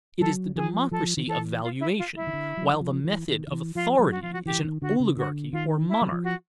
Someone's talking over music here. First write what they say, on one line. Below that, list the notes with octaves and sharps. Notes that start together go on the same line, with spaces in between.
It is the democracy of valuation, while the method of authority is an oligarchy or monarchy.
F#3 A4
F3 G#4
F3 A4
D#3
E3 A4
F4
E4
F4
E4
D#3
D3
F#3
E3
F3
E3
D#3
D#3
E3
F3 F4
F#3
F#4
F3 F4
F#4
E3 G4
D#3
D3 F#4
C#3
D3 F#4
D#3 F4
E4
F#3
F3
F#4